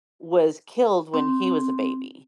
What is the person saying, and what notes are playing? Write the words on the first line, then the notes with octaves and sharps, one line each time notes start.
was killed when he was a baby.
C4